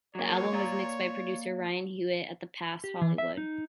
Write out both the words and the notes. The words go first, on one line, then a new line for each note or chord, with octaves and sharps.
The album was mixed by Producer Ryan Hewitt at "The Pass", Hollywood.
F#3 A#3 C#5
A#3 D5 A#5
G4
E3
E5
D#4